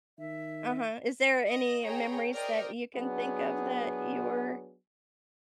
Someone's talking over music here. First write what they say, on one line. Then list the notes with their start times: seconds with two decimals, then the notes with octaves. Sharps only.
Uh-huh, is there any memories that you can think of that you were
0.18 D#3 E5
1.48 D#5
1.83 G#4 C#5 G5 A#5
2.34 A#4 C5 D5 D#5 G5
2.96 F#3 B3 D4 G#4